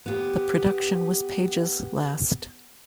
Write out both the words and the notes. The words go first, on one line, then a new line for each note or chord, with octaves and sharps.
The production was Page's last.
B3 G4